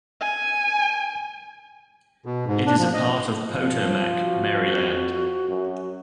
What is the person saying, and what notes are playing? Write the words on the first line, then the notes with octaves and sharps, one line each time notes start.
It is a part of Potomac, Maryland.
G#5
B2
G#2
D4
F3
D#5
F3
F#4
F2
F#2